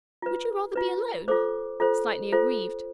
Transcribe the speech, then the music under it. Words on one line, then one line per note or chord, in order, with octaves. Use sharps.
"Would you rather be alone?" slightly aggrieved.
F4 B4
F4 B4
F4 A4 C5 D6
F4 A4 C5
F4 A4 C5